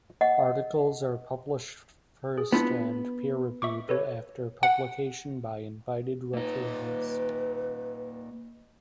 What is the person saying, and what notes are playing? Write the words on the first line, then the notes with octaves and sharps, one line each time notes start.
Articles are published first and peer reviewed after publication by invited referees.
D#5 F#5
G#4
B3 D4 E4 F4
E5 C#6 D6
A4 B4 C#5
F#5
A#2 D#4 B4